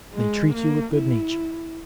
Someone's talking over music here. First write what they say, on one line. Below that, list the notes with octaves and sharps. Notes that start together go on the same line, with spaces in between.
They treat you with good-nature.
G#3
A#3
E4